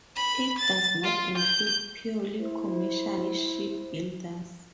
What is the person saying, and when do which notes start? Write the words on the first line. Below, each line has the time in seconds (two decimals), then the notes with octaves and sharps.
It does not include purely commercial shipbuilders.
0.16 B5
0.58 A6
1.03 F4
1.37 G6
2.40 E4 C5